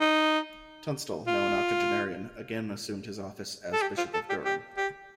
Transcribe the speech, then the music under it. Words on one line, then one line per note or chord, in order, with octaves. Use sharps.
Tunstall, now an octogenarian, again assumed his office as Bishop of Durham.
D#4
F4
A4
G4
F4
A4
G4
G4
G4